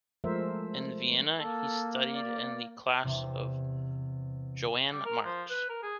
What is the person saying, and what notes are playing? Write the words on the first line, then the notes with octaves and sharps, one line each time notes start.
In Vienna, he studied in the class of Johan Marx.
F3 G#3 A3 A#4 C5 E5
A#3 A4
D5
E2 C3
G3
A#4
F3
B4
A#4
G#4